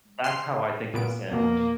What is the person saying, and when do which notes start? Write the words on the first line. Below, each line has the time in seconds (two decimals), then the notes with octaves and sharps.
That's how I think of a sandwich.
0.24 C6 F6 C7
0.94 A#2 B3 D7
1.31 F2 B2 A#3